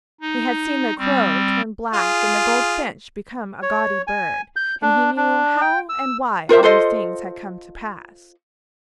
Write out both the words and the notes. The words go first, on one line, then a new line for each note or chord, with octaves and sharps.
He had seen the Crow turn black and the Goldfinch become a gaudy bird, and he knew how and why all these things had come to pass.
D#4
G3 C4
F4 G#4
C#5
G#5
G6
D4
D4
G5
E6
F4 A#4 C5 E5
F4 A4 C5 D#5